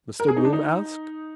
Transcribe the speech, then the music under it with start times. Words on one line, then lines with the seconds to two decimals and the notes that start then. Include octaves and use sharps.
Mr Bloom asked.
0.20 A#4
0.28 G#4
0.37 D#4
0.45 D4
0.53 D#4